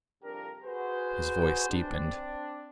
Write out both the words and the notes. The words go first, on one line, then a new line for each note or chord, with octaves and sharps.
His voice deepened.
C2 F2 D4 G4 A#4
F#4 G#4 B4 C5
C4 D4